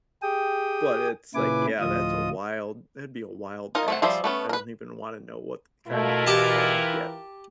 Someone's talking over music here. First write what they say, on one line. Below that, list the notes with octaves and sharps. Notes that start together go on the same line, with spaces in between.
But it's, like, yeah, that's a wild that'd be a wild ask. I don't even wanna know what th kind of look I would get.
G4 G#4 G5 D#6
A#2 C#3 E4 B4 G#5 D6
D2 A2 F3 F4 D#5 D#6
D#4 F4 A#4 D#5
A3 C4 F#5
F3 G3 G#4 C5 E5
A3 B3 C#4
A#4 B4
B2 A3 E4 F4 A#4
E3 G4 A5